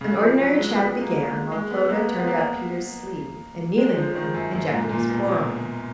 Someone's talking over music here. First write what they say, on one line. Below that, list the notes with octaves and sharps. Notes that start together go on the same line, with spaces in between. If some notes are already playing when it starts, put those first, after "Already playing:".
An ordinary chat began, while Clodagh turned up Peters' sleeve, and, kneeling there, injected his fore-arm.
C#3
F3
F#3
G#3
B3
A#3
A#3
G#3
G#3
B3
B3
A#3
B3
B3
A#3
G#3
F3
D#3
F#2
F#2
A#2
G#2
A#2
B2
B2